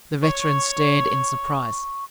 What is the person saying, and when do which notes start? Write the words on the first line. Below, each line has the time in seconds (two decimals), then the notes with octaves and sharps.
The veteran stared in surprise.
0.23 C#5 C#6